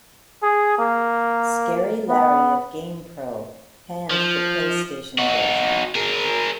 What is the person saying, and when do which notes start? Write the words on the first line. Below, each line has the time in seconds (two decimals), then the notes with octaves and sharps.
Scary Larry of "GamePro" panned the PlayStation version.
0.43 G#4
0.79 A#3
2.08 B3
4.11 F3
5.18 D#4 F#4
5.95 G#4 A#4